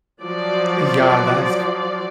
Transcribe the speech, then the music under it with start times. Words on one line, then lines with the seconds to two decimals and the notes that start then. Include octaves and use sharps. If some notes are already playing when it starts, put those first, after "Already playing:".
Yeah, that is c
0.23 F3 F#3 D5